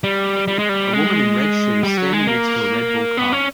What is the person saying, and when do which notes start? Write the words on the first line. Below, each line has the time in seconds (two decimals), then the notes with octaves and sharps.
A woman in red shoes standing next to a Red Bull car.
0.04 G3
0.48 G3
0.59 G#3
0.69 G3
0.93 G#3
1.83 G3
1.98 F#3
2.13 G#3
2.27 A#3
3.17 B3
3.32 C#4